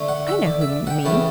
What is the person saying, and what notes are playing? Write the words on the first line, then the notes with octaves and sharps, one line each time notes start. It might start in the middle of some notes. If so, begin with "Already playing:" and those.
I know whom you mean.
Already playing: D3 A3
F#5
E5
D5
E5
F#5
G5
C#3 E3 A3 A5